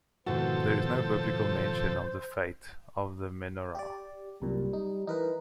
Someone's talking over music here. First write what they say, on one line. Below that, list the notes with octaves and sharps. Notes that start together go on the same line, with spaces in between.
There is no biblical mention of the fate of the menorah.
F2 G#2 B2 D#3 E3 F#4 A4 C5
G4 D5
C2 F#2 A#2 G3
D#4
E3 D#4 A#4 B4